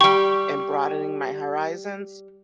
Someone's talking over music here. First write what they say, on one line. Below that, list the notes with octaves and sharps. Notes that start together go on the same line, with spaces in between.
and broadening my horizons,
G3 G4 C#6